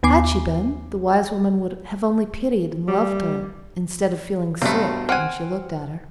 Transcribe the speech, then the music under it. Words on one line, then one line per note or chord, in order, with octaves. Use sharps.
Had she been, the wise woman would have only pitied and loved her, instead of feeling sick when she looked at her.
D#2 B3 G#5 D6 C7
G3
G2 B2 F#3 A3 C4
C4 F#5 G#5 F6